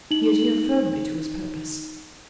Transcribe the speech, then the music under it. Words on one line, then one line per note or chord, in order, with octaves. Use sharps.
He adhered firmly to his purpose.
D#4 F#7